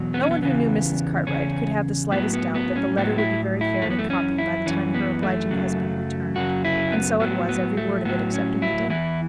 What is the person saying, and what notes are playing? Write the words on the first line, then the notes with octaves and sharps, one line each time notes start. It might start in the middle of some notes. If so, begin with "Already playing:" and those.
No one who knew Mrs. Cartwright could have the slightest doubt that the letter would be very fairly copied by the time her obliging husband returned: and so it was every word of it excepting the date.
Already playing: E2 B2 F#3
B3
C#4
B3
E2 C#3 E3 B3
E2 C#3 C#4
A2 F#3 B3
B3
B3
C#4
A2 F#3 B3
E4
E4
F#2 E3 A3
B3
A3
C#4
E4
F#2 E3 C#4
B3
A3
F#2 C#3 F#3
F#2 C#3 F#3 F#4
E4
B3
A2 F#3 B3
B3
A3
A2 F#3 B3
C#4
E4
E2 E3 E4